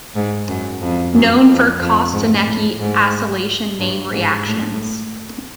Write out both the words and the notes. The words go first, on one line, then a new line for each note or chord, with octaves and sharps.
Known for Kostanecki acylation name reactions.
G#2
F#2
F2
F#2
F2
F2
G#2
A2
G#2
G2
G#2
A2